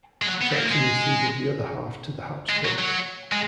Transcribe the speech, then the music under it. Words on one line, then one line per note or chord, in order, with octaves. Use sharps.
Saxony ceded the other half to the Habsburgs.
G#3
F#3
B3
A#3
G#3
G#3
F#3
F#3
G#3